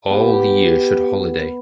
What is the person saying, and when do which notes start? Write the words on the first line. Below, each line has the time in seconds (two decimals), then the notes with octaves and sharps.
All year should holiday.
0.10 B3 G4